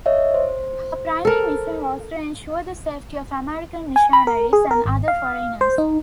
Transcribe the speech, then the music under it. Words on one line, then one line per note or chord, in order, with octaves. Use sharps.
Her primary mission was to ensure the safety of American missionaries and other foreigners.
C#5 D#5 E5
C5
A4 A#4
G#5
B5
A#4
G#4
A#4
G#1
F5
C5
D#4